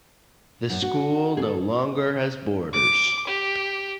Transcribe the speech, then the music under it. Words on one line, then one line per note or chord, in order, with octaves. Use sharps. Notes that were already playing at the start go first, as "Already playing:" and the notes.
The school no longer has boarders.
F#2
F#4
G#4 A4
D6
G4